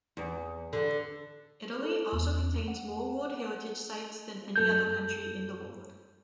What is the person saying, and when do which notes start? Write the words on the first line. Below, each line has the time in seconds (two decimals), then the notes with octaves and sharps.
Italy also contains more World Heritage Sites than any other country in the world.
0.17 E2
0.73 D3
1.85 A4
2.13 E2
2.68 F#5
4.56 F#2 A4 G6